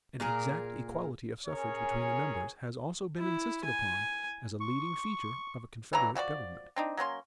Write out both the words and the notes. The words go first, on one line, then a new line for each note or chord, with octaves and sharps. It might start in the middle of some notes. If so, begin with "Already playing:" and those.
An exact equality of suffrage between the members has also been insisted upon as a leading feature of a confederate government.
A#2 G#4 A#4
C#4 G#4 A#4 C#5
E4
G#5
C#6
E3 F#3 D4 A#5
F3 F#4 G4 D5
C4 D4 D#4
F#3 A#3 C#4 C6